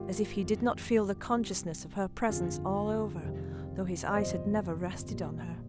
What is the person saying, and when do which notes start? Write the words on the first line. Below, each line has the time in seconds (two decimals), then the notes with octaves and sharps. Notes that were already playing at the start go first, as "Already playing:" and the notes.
As if he did not feel the consciousness of her presence all over, though his eyes had never rested on her!
Already playing: G#1 G#2 D#3 F4 G4
0.43 F2 D#3 G#3
1.36 C2 C3 G3
2.29 G1 F2 D3 F3 F4 G#4
3.22 F2 C3 D#3 G3
4.10 D5
4.15 G1 F2 C3 F3 C5 D#5
5.09 A#1 A#2 G3